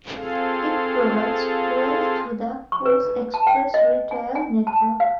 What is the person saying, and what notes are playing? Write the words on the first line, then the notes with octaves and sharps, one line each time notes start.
It provides fuel to the Coles Express retail network.
C4 F4 G#4 A4 F5
C#6
B4
A5
G5
D#5
G#5
G#5
A5
F5